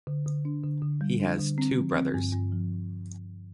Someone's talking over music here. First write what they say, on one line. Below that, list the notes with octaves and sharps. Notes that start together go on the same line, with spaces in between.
He has two brothers.
D3
D3
D4
D3
D3
G3
D4
D3
C4
F3
C4
G2
G2
F3